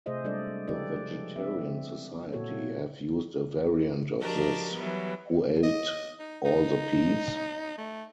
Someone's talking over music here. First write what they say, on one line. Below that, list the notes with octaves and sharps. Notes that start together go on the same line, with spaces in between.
The Vegetarian Society have used a variant of this, Who ate all the peas?
C3 A3 G#4 C5 D#5 E5
G3 G#3 D4 A4 D5 D#5
C#3 F3 G4 A4 B4 D5
F3
C4 E5
A#2 A#3 E4 F#4 A4 C#5
F3 D4 F#4 G4 A#4 D#5
E3 F#3 G3 B3
D#5
D#4
D#4
A3